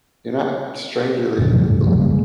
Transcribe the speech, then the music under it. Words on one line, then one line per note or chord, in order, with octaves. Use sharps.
you're not strangulating the balloon,
A#1 F#2 A#2 D3
C3 F3 G3 G#3
F#2 A2 C#3
F#2 F3 G3 A3
G1 G2 C#3 A#3
G#3